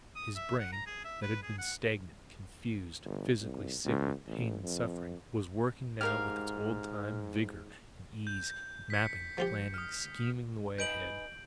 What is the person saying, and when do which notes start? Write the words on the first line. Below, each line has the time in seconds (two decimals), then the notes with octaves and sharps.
His brain, that had been stagnant, confused, physically sick with pain and suffering, was working now with its old-time vigour and ease, mapping, planning, scheming the way ahead.
0.16 D#6
0.36 E5
0.60 F#5
0.72 A#5
0.86 G#4
1.04 E5
1.22 B4
1.43 G#4
1.58 F#5
3.05 G1
3.41 C2
3.85 C#2
4.27 A1
4.63 F2
6.01 G#2 G4 A#4 F5 F6
8.27 G6
8.90 B6 C#7
9.38 F3 F4 G4
9.74 D#6 F6
10.78 D#4 G#4 B4 G6 D7 F#7